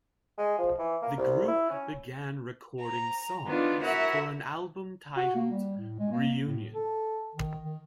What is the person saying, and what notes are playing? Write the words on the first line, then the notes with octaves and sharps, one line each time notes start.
The group began recording songs for an album titled "Reunion".
G#3
F3
E3
A#3
C2
E4
C#4
A#5
D#3 B3 D4 F4
E4 F#4 A#4 E5 F#5
F#4
A#3
G3
A2
G#3
A#3
A2
A4
D#3
D#3